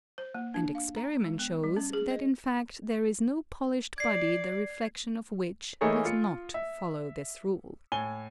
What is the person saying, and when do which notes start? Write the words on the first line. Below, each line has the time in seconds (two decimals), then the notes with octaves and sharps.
And experiment shows that in fact there is no polished body the reflexion of which does not follow this rule.
0.18 C5
0.35 A#3
0.54 D4
0.75 F5
0.96 A#5
1.24 G#3
1.39 B3
1.64 G3
1.77 C#4
1.93 G#4
2.11 D#5
3.98 D5 G#6 C7
5.81 E3 A3 A#3 D#4 G#4 C#5
6.05 F4 C#7
6.54 E5
7.92 A2 G#5 G7